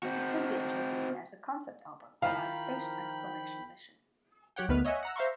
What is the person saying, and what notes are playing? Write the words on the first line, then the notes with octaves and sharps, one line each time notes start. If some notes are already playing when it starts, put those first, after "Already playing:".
It could be interpreted as a concept album about a space exploration mission.
C4 F#4
D#3 F3 E4 F5 G5 A#5 B5
F#3 G4 C#5 F#5 G5
D2 D#3 B3 B4 F6
C#5 D#5 E5 F#5 G#5
F#5 A#5 E6
C5 E5 F5 A#5 C6 C#6